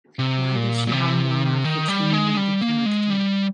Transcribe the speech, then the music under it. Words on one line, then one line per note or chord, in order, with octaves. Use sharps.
Why does she have more outfits than any other character?
C3
A#2
A#2
C3
D#3
G3
G#3
G3
A#3
G#3
G3